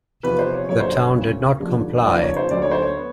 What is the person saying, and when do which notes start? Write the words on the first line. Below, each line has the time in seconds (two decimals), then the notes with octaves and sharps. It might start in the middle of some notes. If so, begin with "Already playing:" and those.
The town did not comply.
0.23 E2 C3 F3 B4
0.39 C5
0.54 C#5
0.69 G2 D3 F#3 A3 C#5
0.80 C5
0.92 C#5
1.14 E1 D2 C#3
1.60 F1 F2 D3 G3
2.05 F1 F2 C#3 F3 A#3 D5
2.22 C#5
2.37 C5
2.51 D2 D3 F#3 A3 D5
2.62 C#5
2.71 C5
2.82 C#5
2.97 B3